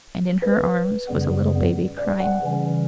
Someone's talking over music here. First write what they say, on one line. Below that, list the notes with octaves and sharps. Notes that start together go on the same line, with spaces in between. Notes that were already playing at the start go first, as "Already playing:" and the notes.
And in her arms was a little baby crying.
B4
F#2 C#3 G3 B3
D5
F#5
C#3 E3 G3 C#4